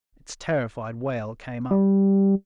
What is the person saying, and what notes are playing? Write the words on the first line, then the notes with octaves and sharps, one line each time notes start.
Its terrified wail came up.
G3